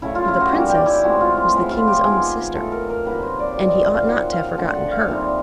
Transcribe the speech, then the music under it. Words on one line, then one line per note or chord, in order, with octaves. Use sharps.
For the princess was the king's own sister; and he ought not to have forgotten her.
C#3 F#3 A3 E4
F4
E4
F#4
D#3 G3 A#3 C#4 G4
G4
E4
A2 E3 G#3 C4 F#4
F4
E4
A2 F3 G#3 B3 E4
F4
G4
D#3 G#3 B3 G#4
A2 F3 A3 A4
A#4
A#4
C3 D#3 F#3 A#3 B4
C5
D5
A#2 G3 C4
D#5
E5
F5
F3 A#3 D#4 F#5
F5
D3 F3 A3 F#5
F#5
F5
A#2 G3 C4 D#4 E5